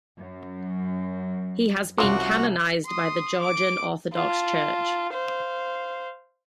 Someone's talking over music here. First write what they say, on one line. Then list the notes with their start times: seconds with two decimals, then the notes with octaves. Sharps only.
He has been canonized by the Georgian Orthodox Church.
0.17 F#2
1.98 C2 C#4 F4 F#4 D6
2.86 C6 D#6
3.39 D6 D7
4.13 F4 A5
5.11 C5 F5